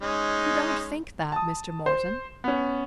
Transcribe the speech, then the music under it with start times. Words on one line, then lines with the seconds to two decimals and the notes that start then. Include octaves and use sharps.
"You don't think that, Mr. Morton."
0.01 G#3 C#4 D#4
1.32 A5 D#6
1.86 C5
2.44 B3 C#4